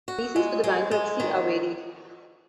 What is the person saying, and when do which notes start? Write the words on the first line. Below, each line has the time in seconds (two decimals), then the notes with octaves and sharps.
Reasons for the bankruptcy are varied.
0.08 F#4
0.36 G#3
0.64 G#3
0.91 G#3
1.20 D#3